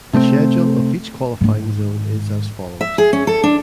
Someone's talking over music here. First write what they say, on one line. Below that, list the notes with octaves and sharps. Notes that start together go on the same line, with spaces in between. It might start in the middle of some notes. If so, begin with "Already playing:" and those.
The schedule of each qualifying zone is as follows.
C3 A3 B3 C4
G#2 D#3
E5
G#4
C#4
A4
D4